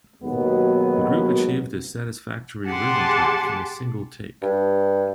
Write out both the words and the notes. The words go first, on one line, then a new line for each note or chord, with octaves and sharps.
The group achieved a satisfactory rhythm track in a single take.
D#2 B2 F#3 G#3 B3
G4 G#4 F#5 A5 C6 D6
G2